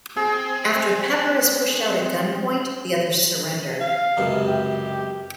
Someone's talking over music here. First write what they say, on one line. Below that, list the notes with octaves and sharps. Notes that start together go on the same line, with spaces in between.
After Pepper is pushed out at gunpoint, the others surrender.
C4 G#4
F5
C#2 F#2 C3
G4